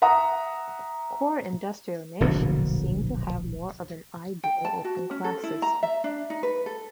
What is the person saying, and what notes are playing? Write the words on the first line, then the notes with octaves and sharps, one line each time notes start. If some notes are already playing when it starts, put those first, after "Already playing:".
Core industrial nations seem to have more of an ideal open class system.
E5 F#5 A#5 D#6
D1 A#1 B2 D3
G5
A5
F#4
C#4
A4
E4
A#5
E5
D4
D#4
B4
A4